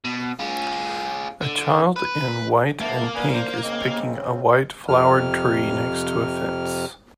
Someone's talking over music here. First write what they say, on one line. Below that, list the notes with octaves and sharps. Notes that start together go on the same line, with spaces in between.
A child in white and pink is picking a white flowered tree next to a fence.
B2
F4 G#4
D3
B4
G#2 A#3 B3 E5 A5
B4 D5 G#5 D#6
C5
C#3 C4 D#5
C#5
F2 C3 F6